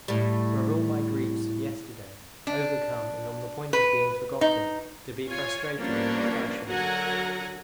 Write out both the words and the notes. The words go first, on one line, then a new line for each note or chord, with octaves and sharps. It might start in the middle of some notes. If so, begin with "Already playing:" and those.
Were all my griefs of yesterday, overcome and on the point of being forgotten, to be frustrated in this fashion?
A2 G3
D4
B4
D#4
F4 C#5 G#5
F3 G3 A#3 B3 C#4 D4
D3 F#3 A#4 F#5 G#5 A#5